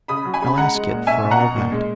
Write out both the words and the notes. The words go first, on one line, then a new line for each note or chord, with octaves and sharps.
'I'll ask it for all that.
C#3 B5 D#6
F#3
G#5 B5
C#3
B5
G#3 F#5 A#5
G#3
A#2
B2 E5 G#5
B2
F#5 A#5
B2
A#2
G#3